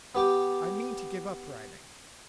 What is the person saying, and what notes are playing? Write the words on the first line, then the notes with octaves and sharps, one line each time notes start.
I mean to give up riding.
B3 G4 G5 D6